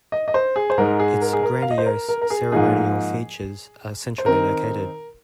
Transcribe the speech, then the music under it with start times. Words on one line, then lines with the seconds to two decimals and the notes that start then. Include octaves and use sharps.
Its grandiose, ceremonial features are centrally located.
0.12 D#5
0.28 D#5
0.34 C5
0.56 G#4
0.70 C5
0.78 G#2 G#3 D#4 A#4
1.00 G#4
1.21 A#4
1.33 G#4
1.43 A#4
1.62 F5
1.71 D#5
1.78 C5
1.86 A#4
2.09 A#4
2.22 A#4
2.30 G#4
2.52 G#2 F3 A#3 D#4 G#4
4.18 C5
4.26 D#3 C4 D#4 A#4